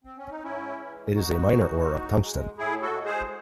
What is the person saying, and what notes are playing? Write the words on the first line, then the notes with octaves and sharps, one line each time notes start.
It is a minor ore of tungsten.
C4
C#4
D#4
G#2 C#4 E4
E3 G#3
G#2 D#4 F#4
E3 G#3
A2
G#3
A2 E4 G#4
F#4 A4
G#3
G#4 C5